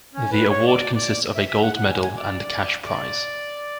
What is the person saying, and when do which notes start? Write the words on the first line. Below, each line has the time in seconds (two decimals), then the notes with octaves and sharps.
The award consists of a gold medal and cash prize.
0.14 C#4
0.31 B4
0.50 C#5
0.67 D5
0.95 D5
1.35 E5
1.48 E5
1.63 F#5
1.76 F#5
1.90 G#5
2.03 G#5
2.16 D5
2.84 D5